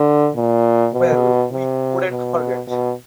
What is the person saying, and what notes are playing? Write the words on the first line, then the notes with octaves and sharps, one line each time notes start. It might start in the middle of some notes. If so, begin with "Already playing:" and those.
Well, we couldn't forget.
Already playing: D3
A#2
B2
C3
B2
B2